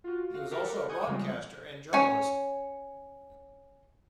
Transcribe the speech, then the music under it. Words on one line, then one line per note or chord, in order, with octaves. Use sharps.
He was also a broadcaster and journalist.
F4 F#4
F#4 F5
G4 A4 A#4 F5 F#5
F#5 G#5 C#6 D#6 G6 G#6
C#3 F3 G3 G#3 C4
C#4 C#5